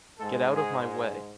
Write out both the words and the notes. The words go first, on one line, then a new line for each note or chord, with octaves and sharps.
Get out of my way.
G#2 G#3 A4
G#4